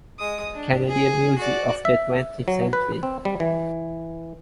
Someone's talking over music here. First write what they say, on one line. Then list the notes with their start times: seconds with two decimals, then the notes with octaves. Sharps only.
Canadian Music of the Twentieth Century.
0.19 G#3 D#6
0.55 D4
0.88 G#4
1.38 F#4 D5
1.85 E5
2.48 F#3
2.73 B4
3.03 C4
3.25 G3
3.40 E3